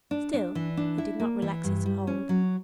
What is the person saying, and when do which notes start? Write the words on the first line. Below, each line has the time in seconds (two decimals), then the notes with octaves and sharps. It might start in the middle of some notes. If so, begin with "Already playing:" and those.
Still he did not relax his hold.
0.11 D4
0.34 D4
0.55 E3
0.77 D4
0.98 E4
1.20 A#3
1.42 E3
1.64 G2
1.86 G3
2.07 C#4
2.29 F#3